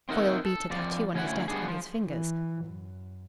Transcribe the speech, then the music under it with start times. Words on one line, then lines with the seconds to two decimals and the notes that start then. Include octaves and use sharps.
Foyle beat a tattoo on his desk with his fingers.
0.09 C4 D#4 A#4 E5 F#5
0.45 A4
0.70 F2 F3 D5
1.14 D2 C#4 E4 F#5
1.48 G3 B3 D4 G#4
1.68 F3
2.07 E3
2.65 F#2